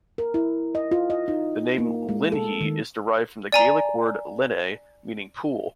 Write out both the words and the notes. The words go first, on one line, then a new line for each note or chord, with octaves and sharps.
The name "Linnhe" is derived from the Gaelic word "linne", meaning "pool".
A#4
E4
D#5
F4
D#5
D#4
A#3
G#3
A4
D#3
D5 G#5 A#5